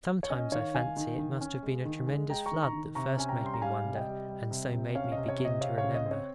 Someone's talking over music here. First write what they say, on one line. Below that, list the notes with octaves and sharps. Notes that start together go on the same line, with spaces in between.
Sometimes I fancy it must have been a tremendous flood that first made me wonder, and so made me begin to remember.
C#5
C#4 D#5
D#3 C#5 F5
D#3 F5 G#5
D#3
D#3
C#4
G#3
D#3
G#3
G#3 G5 A#5
A#5 C#6
D#3
A#5 C#6
D#3
C3 A#5 C#6
C#4 G#5
G5 A#5
G3
C6
A#5
G3 F5 G#5
C3
D#5 G5
G3
G3
C3
C3
C#4 C#5 F5
D#5
C3
C#5
C3
D#5
C4 C#5 F5
C#5 F5
C#3
D#5
C4
C#5